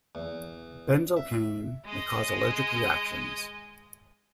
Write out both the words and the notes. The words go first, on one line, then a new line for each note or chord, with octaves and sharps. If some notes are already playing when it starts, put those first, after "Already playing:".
Benzocaine may cause allergic reactions.
E2
E5
G#3 D#5